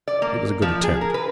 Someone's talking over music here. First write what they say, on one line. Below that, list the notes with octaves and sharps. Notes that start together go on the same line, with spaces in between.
It was a good attempt.
D5
A#3
F3
G#4
A#4
B4